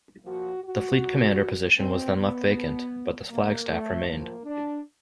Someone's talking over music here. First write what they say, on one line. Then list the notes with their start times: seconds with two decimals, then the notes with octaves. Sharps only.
The fleet commander position was then left vacant, but the flag staff remained.
0.25 A#2 F3 F#4
0.63 F#4
1.01 A#2 F3
1.78 B2 C4
2.16 B3
2.54 B2
3.30 B2 A#3
3.69 A3
4.07 A2 F3 A#3
4.45 D4